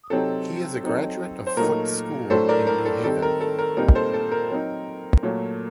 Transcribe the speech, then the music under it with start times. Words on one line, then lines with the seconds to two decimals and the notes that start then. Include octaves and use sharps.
He is a graduate of Foote School in New Haven.
0.10 C3 F#3 C4 D#4 A4
0.84 F#3 C4 D#4
1.47 C5
1.57 A#2 F#3 A3 D#4 A#4
2.30 A2 F#3 A3 D4 A4 C5
2.49 A#4 D5
2.67 A#4
2.85 A4
3.04 D#3 G3 C4 D#4 A4
3.22 A#4
3.41 A4
3.59 A#4
3.77 A#2 G3 C4 D#4 A#4
3.95 A4 C5
4.14 A4
4.32 A#4
4.50 F#3 C4 D#4
5.23 A#2 F#3 A3